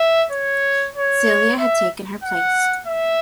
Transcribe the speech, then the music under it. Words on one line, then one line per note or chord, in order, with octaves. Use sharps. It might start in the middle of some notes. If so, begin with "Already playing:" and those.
Celia had taken her place.
Already playing: E5
C#5
C#5
E5
F#5
E5